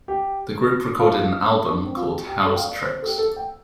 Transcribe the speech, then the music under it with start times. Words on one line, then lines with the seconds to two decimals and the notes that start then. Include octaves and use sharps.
The group recorded an album, called "How's Tricks".
0.08 G4
0.99 F4
1.72 D4
1.84 C4
1.97 F4
2.09 G4
2.27 G4
2.46 A4
2.53 G5
2.58 F5
2.70 D5
2.82 C5
3.02 A4
3.06 G4
3.18 A4
3.36 G5